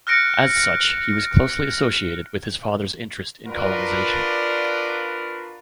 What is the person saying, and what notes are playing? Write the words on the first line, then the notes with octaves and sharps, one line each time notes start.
As such, he was closely associated with his father's interest in colonisation.
F6 F#6 A#6 C#7 D7
D4 F4 F#4 A#4 B4 D5